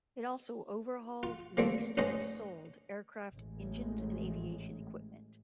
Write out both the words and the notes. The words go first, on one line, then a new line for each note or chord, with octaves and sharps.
It also overhauled, leased and sold aircraft, engines and aviation equipment.
F4
D#3 F3 G3 A3 A#3 C4
A1 G2 C#4 C5 D#5
A1 G#3